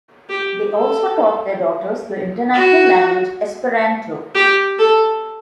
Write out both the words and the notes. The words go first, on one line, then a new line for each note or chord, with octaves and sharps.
They also taught their daughters the international language Esperanto.
G4
A4
F#4
G4
A4